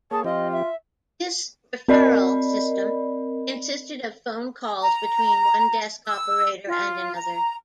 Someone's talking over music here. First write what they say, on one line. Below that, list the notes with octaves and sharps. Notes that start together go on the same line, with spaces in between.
This "referral system" consisted of phone calls between one desk operator and another.
A#3 G#4 C#5 A5
F3 C4 F4 G4 D#5
E5
C4 A#4 D5 D#5 B5
A#5
E6
F4
A#5